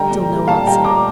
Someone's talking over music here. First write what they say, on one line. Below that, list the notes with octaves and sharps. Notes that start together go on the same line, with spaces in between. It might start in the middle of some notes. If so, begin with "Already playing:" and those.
Still no answer.
Already playing: D3 G3 G5 A#5
A#2
G3
A#2 F5 A5
G3 G5 A#5
A#2 A#5 D6